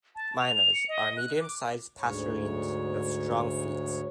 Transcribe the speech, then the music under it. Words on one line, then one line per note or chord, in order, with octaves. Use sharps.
Mynas are medium-sized passerines with strong feet.
A5
F7
C#7
D#5
F#6
D6
D2 G#2 C#5